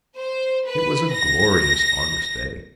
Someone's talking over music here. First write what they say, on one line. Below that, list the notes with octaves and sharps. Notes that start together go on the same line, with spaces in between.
It was a glorious August day.
C5
B4
A#6